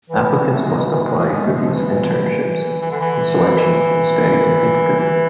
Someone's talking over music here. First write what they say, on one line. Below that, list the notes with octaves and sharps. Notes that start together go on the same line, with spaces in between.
Applicants must apply for these internships, and selection is very competitive.
E3
A3
G#3
E3
E3
G#3
G#3
A3
G#3
F3
E3
E3
D3
E3
E3